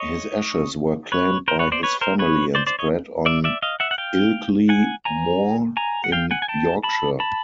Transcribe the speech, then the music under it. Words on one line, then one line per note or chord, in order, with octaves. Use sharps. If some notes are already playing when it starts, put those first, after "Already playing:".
His ashes were claimed by his family and spread on Ilkley Moor in Yorkshire.
Already playing: C#5 D#5
B4 C#5
A#4 C5
B4 C#5
C5 D5
B4 C#5
A#4 C5
B4 C#5
C5 D5
C5 D5
C#5 D#5
D5 E5
D5 E5
D#5 F5
E5 F#5
F#5
F5 G5
F#5 G#5
G#5 A#5
G#5 A#5
F#5
F5 G5
F#5 G#5
G#5
G5 A5
A5 B5
A5 B5